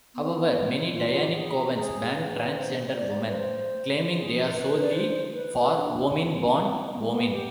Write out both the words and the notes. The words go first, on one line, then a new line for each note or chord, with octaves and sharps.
However, many Dianic covens ban transgender women, claiming they are solely for womyn-born-womyn.
B3
C4
B3
F4
F4
G4
G#4
G#4
B4
C5
D5
B4
C5
G#4
B4
D5
C5
B4
D4
C4
C4
B3
G#3
B3
G4